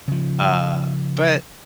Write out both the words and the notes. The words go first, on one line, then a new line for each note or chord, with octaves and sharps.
Uh, but,
C#3 F3